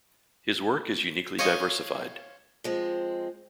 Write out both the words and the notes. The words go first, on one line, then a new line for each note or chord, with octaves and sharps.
His work is uniquely diversified.
C#4 C5 C#5 D#5 F5
F3 G#3 C4